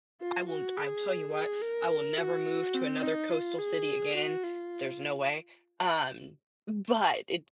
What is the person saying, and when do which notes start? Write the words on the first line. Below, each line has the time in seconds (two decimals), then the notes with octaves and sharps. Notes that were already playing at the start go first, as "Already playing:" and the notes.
I won't I'll tell you what, I will never move to another coastal city again, there's no way, um, but, it
0.21 F4
0.49 F#4
0.77 G#4
1.33 G#4
1.62 A#4
2.18 F#4
2.74 C4
3.03 D#4
3.30 F4
3.59 G#4
4.15 F#4
4.43 F4